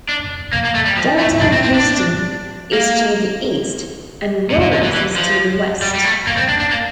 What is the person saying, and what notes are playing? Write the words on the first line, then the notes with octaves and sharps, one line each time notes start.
Downtown Houston is to the east, and Wallis is to the west.
D4
A#3
A#3
A3
G3
F3
A3
D4
C4
C4
D4
A#3
A#2
A#2
D3
E3
E3
F3
G3
G3
A3
A#3
C4
D4
D4
A#3